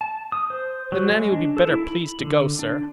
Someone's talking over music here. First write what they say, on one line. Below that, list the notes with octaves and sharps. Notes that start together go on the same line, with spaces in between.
"Then Nanny would be better pleased to go, sir."
A5
D#6
C5
F#3
G#3
D4
A4
E4
B5
D3
D4